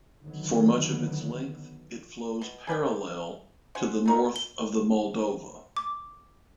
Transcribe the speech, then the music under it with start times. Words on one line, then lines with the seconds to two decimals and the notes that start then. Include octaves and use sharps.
For much of its length it flows parallel to the north of the Moldova.
0.23 D3 D#3 F#3 B3
2.41 B2
2.67 G#4 B4 D5 G5
3.75 C#4 C5 F#5
4.06 A3 D#4 A#4
4.36 G7
5.77 D6